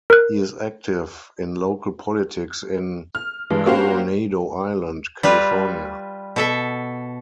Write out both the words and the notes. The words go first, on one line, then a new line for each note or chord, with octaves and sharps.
He is active in local politics in Coronado Island, California.
A#4 F#6
F6
G2 E3 G#3
A#3 C#4 F#4 G4 C5 F5
G3 F4 B4
B2 A4 E5